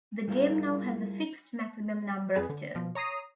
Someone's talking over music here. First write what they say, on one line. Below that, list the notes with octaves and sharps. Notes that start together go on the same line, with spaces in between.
The game now has a fixed maximum number of turns.
G3 E4 F4 G#4 A#4
F2 G#4 B4
D3
B2 F3
C#5 A#5 D#6 C7